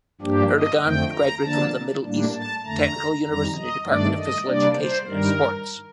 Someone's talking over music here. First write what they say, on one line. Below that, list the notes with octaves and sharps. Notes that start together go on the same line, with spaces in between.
Erdogan graduated from Middle East Technical University Department of Physical Education and Sports.
G2 F3 A#3 D4 G4
D#5
F2 D3 F3 A3 C4 G5
A#5
D3 F3 A#3 D4 A5
A2 G3 A#3 D4
A5
F2 D3 A3 A#5
F2 D#3 G3 A#5
D#5
G2 D#3 A3 D4 D5
D#5
C3 G3 A#3 D4 D5
C5
G2 D#3 G3 A#4